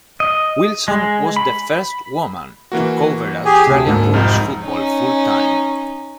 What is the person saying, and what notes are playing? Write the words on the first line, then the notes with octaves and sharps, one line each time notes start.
Wilson was the first woman to cover Australian Rules football full-time.
D#5
G#3
B5
E3 A#3 F#4
G4 G#4 G#5
D2 C3
G#2 A3 A#3
C2 F2 D#4 F6
C#4 D#4